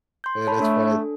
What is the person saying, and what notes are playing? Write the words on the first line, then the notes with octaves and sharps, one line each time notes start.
hey, that's funny
C6 G6
C#5 A5 B5
A3 D4 A4